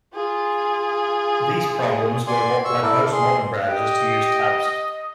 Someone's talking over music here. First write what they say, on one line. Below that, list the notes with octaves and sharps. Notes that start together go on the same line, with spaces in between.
These problems were what led most modern web browsers to use tabs.
F4 G#4
D5 G#5 C6
C#6 E6
E4 A4 A#4 D5
G#4 C6
G4 D#5